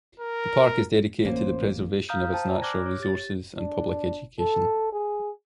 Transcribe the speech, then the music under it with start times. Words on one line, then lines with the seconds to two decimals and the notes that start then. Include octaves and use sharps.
The park is dedicated to the preservation of its natural resources and public education.
0.20 A#4
1.25 A1 A#3 C#4 C5
2.09 F5 A#5 D#6 F6 G6
2.32 C5 G5 A5
2.48 D5 G#5 A#5
2.62 D6 F6 F#6 G#6 A#6
2.86 C#5
3.00 G4 A6
3.56 D4
4.39 A4
4.92 G#4